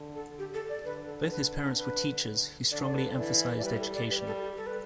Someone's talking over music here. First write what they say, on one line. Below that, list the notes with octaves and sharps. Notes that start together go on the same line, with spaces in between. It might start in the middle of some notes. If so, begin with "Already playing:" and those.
Both his parents were teachers; who strongly emphasised education.
Already playing: D3
A4
G4
A4
D5
D3 B4
A4
B4
B4
D3 D5
D5
B4
E3 D5
D5
G3 B4
A4
D5
G3 B4
A4
G4
A4
B4